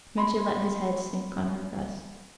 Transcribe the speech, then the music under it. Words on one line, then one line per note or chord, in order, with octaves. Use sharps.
Mitya let his head sink on her breast.
B5 C6